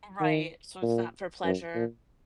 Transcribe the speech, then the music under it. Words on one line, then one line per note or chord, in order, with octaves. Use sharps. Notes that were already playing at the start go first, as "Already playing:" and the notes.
Right, so it's not for pleasure.
D#3
A#2
F#2
A#2